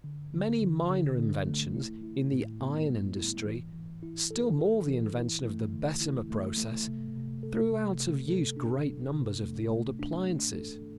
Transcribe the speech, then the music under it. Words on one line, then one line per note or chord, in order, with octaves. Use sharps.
Many minor inventions in the iron industry, still more the invention of the Bessemer process, threw out of use great numbers of the old appliances.
D3
D3
D3
D3
D3
A3
E4
E4
A2
B3
G3
E4
E3
E3
E4
A4
A4
E3
E4
A3
D3
E4
A3
A3
C3
C3
A4
C3
C3
A4
D4
D4
C3
A3
A3
D4
A3
A4